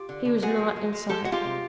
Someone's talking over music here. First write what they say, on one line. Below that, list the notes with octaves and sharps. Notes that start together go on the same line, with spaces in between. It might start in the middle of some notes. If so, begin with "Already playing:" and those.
He was not in sight.
Already playing: F4 G4
D3
D3
G#3 F#4 G#4
F3
G#3
G#3
G#3 G4 A4
G#3 F#4
F4 G4
C3